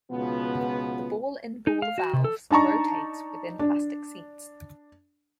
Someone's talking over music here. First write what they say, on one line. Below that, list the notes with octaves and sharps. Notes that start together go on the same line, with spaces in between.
The ball in ball valves rotates within plastic seats.
C#2 B2 F3 B3
D#4
F5
F#4
C3
A4
D4 D#4 A5 A#5 C#6
D4